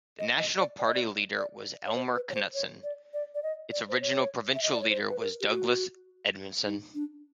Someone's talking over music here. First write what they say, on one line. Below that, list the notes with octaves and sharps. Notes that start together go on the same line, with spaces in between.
The national party leader was Elmer Knutson; its original provincial leader was Douglas Edmondson.
D#5
D#5
D5
D5
D#5
D5
D5
C#5
C5
B4
C#5
C5
C#5
D5
D5
D5
D#5
D5
C5
C#5
E5
D#5
D5
C#5
C5
B4
A#4
G4
F#4
D#4
D4